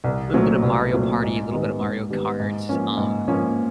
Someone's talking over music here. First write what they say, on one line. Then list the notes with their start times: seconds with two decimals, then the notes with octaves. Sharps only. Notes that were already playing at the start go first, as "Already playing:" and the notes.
little bit of Mario Party, little bit of Mario Karts, um
0.04 C2
0.33 A#2 F#3 A3 C4
0.63 C2
0.92 A#2 F#3 A3 C4
1.22 G#2
1.52 D#3 G3 B3
1.81 G#2
2.10 D#3 G3 B3
2.40 G#2
2.69 F3 A#3 C#4
2.97 G#2
3.28 F3 A#3 C#4